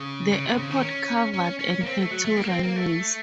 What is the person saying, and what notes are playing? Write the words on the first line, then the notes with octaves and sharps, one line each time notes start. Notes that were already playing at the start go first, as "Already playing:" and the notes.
The airport covered and had two runways.
Already playing: C#3
C#3
C3
C#3
D#3
C#4
C#4
C#4
A#3
C4
A3
F#3
A3
A#3
C4
A#3
A3